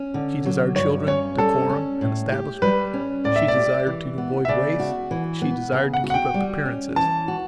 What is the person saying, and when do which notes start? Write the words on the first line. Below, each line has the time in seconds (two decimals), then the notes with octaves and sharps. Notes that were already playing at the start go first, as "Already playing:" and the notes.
She desired children, decorum, an establishment; she desired to avoid waste, she desired to keep up appearances.
Already playing: C#4
0.14 D3
0.45 F#3
0.76 G2 C#5
1.07 C#4 C#5
1.38 G3 A4
1.69 C#4
2.01 A2
2.32 G4
2.62 G3 B4
2.94 C#4
3.24 A2 D5
3.36 E5
3.48 D5
3.56 G4
3.87 E3
4.18 B3
4.45 E5
4.48 C#3 D5
4.79 F#4
5.11 E3
5.42 B3
5.72 C#3
5.94 F#5
6.04 F#4
6.10 F#5
6.14 G5
6.34 G3
6.65 C#4
6.96 E3 A5
7.28 F#4